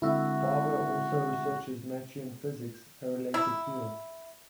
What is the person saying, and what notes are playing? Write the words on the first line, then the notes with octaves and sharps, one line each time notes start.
Barbour also researches Machian physics, a related field.
D3 G#3 C4 E4 F#4 E5
E4